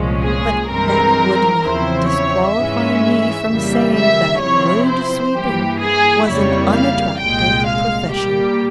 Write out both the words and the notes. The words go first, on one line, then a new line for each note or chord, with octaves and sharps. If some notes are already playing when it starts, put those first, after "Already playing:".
But that would not disqualify me from saying that road- sweeping was an unattractive profession.
Already playing: C2 A#2 F3 G#3 C#4
G#4
G2 E3 G#3 C4 A#4
E2 C#3 F3 C4 E4 C5
C#5
G#2 E3 G#3 C#4 E5
F2 C#3 E3 G3 A#3
E5
C3 F3 C4 E4 C#5
C5
G2 E3 A#3 G4
G#4
F2 C#3 G3 A#3 E4 C#5
F5
C2 A#2 G#3 G5
F5
A#2 G3 A#3 G4